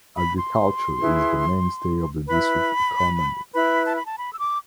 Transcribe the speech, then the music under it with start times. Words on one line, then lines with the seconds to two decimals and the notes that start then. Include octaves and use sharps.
Agriculture is the mainstay of the district economy.
0.15 B5
0.36 C6
1.00 E4 G#4 B4
2.26 E4 B4 B5
3.53 E4 B4 B5
3.85 A5
3.96 B5
4.06 A5
4.17 B5
4.33 E6
4.38 D6